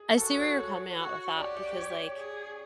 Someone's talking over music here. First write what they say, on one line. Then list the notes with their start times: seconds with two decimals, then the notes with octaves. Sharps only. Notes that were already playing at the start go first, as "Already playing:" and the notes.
I see where you're coming at with that because like
Already playing: G#4
0.17 F#4 A4
0.37 C#5
0.97 F#4
1.37 G4 D5
1.57 D5
1.77 C#5
2.16 G#4